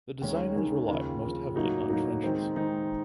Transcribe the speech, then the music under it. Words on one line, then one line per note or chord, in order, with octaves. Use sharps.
The designers relied most heavily on trenches.
D#2 D#3 G#3 C#4
D#2 D#3 G#3 C#4
D#2 C#3 F3
D#2 C#3 F3
A2 F#3 A#3 D#4 F#4
A2 F#3 A#3 D#4 F#4
D#3 G#3 C4 D#4
D#3 G#3 C4 D#4